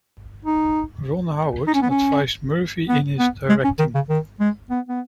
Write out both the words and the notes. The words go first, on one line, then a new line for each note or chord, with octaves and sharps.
Ron Howard advised Murphy in his directing.
D#4
D#4
C#4
B3
C#4
B3
B3
G#3
C#4
D#3
C#3
D#3
G#3
B3
B3